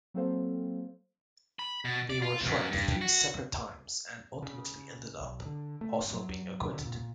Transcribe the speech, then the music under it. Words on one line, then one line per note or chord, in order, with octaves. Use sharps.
They were tried three separate times and ultimately ended up also being acquitted.
F#3 A#3 C4 A4 C5 F5
B5
B2
D5
F4
F#2
G2
F#4
C#3
B1
D3
A3
G1
F#3
D3
A#2